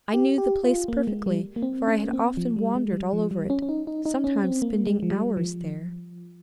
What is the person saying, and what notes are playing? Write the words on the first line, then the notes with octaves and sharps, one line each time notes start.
I knew the place perfectly, for I had often wandered all over it, sometimes spending hours there.
G4
G4
F4
A#3
G#3
G3
A#3
C4
C#4
A#3
C4
F3
G3
G#3
G3
F3
G3
C#4
C#4
D#4
D#4
D#4
C#4
C4
A#3
G#3
F3
G3
F3